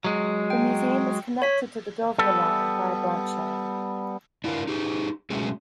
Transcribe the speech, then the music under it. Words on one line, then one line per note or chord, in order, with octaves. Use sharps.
The museum is connected to the Dovre Line by a branch line.
F#3 G#3
G5
C#5 B6
G3 B3 A4
D4 E4 F4 A#4
D#4 G4 G#4
B2 F#3 G#3 A3 C#4 G#4